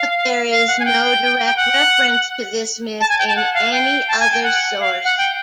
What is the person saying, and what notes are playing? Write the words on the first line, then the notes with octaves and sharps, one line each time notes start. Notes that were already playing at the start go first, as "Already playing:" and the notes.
But there is no direct reference to this myth in any other source.
Already playing: F5
F5
F#5
G#5
G5
G5
F#5
A5
G#5
G5
A5
F#5
F5
G5
A5
G#5
G5
F#5
F5
F#5
G5